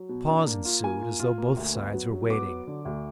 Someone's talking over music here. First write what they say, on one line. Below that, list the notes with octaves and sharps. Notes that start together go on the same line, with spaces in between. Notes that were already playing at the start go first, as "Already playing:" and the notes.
A pause ensued, as though both sides were waiting.
Already playing: F#3
B2
D4
A#3
F4
A#3 G#5
F4
F4
A#3
D2
B3
F#3
F#3
B3 D6
F#3
D3
D2